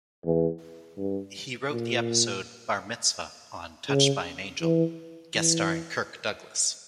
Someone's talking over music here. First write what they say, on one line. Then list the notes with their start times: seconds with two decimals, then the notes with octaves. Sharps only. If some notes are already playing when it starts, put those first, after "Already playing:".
He wrote the episode 'Bar Mitzvah' on "Touched by an Angel", guest-starring Kirk Douglas.
0.25 E2
0.97 G2
1.71 A#2
3.88 C#3
4.61 E3
5.35 E3